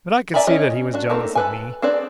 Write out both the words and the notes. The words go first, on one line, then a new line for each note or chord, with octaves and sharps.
But I could see that he was jealous of me.
D5 E5 G#5 A#5 B5
C#4 C#5 D#5
D4 F#4
A3 A#3 C4 D#4
A4 B4 G#5
C4 D4 G#4 B4 D5